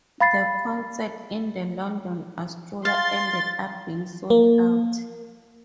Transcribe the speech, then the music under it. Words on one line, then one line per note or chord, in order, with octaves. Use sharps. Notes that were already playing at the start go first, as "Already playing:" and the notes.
The concert in the London Astoria ended up being sold out.
F5 B5 A6 C7
F5 C6 A6
A#3